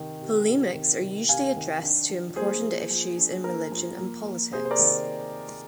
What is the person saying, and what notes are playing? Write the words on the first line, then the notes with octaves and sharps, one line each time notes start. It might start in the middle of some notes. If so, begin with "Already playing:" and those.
Polemics are usually addressed to important issues in religion and politics.
Already playing: C3 D#3
C3
C3
D#3
C3
C3 F5 G#5
D#3
D4
F3
A#3 G#4 C5
F3
F3
D4
A#3 A#4
F3
A#3
A#3
C3 G#4 C5
C5
A#4 D5
D#3